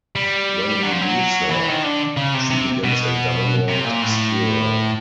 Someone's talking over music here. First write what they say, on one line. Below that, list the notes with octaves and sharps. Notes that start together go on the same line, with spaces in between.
When he leaves her, she begins a downward spiral.
G3
F#3
F3
F#3
E3
D#3
D3
C#3
C3
C3
B2
C3
A#2
A2